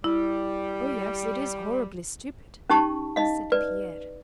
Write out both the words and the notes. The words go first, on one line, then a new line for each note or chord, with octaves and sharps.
"Oh yes, it is horribly stupid," said Pierre.
G3 E4
C#4 D#4 G4 A5 C#6
D#4 D#5 F5
B4 D5